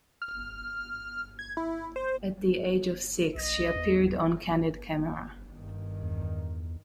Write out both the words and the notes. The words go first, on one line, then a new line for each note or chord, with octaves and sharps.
At the age of six, she appeared on "Candid Camera".
F6
G#6
E4
C5
B1 D#5
E2
G2 D#3
E2